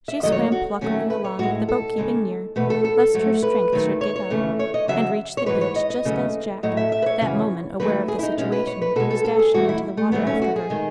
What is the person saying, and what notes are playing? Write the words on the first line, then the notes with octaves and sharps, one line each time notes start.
She swam pluckily along, the boat keeping near, lest her strength should give out, and reached the beach just as Jack, that moment aware of the situation, was dashing into the water after her.
E5
F#2 D#3 F#3 A3 D#5
C#5
F#4
D#2 D#3 F#3 A3 C#4
B4
C#5
A2 G#3 F#4
A4
D#2 C#3 G#3
E2 B2 A3 B4
A4
A4
A4
G#2 F#3 A3
B4
D#2 D#3 F#3 A3
C#5
C#5
D#2 C#3 E3 A3
C#5
D#5
E2 C#3 F#3 E5
C#5
G#2 E3 G#3 B4
C#5
D#5
D#5
D#2 C#3 F#3 A3
A2 F#3 A3 D#5
E5
E5
B4
C#5
F#2 C#3 E3
D#2 D#3 F#3 A3 B4
G#4
E4
D#4
B2 G#3 C#4
B4
C#5
B4
B2 G#3 A4
A4
A4
G#4
F#2 E3 A3 F#4
E4
A3
G#2 D#3 F#3 A3 B3
C#4
F#4
G#4
D#3 G#3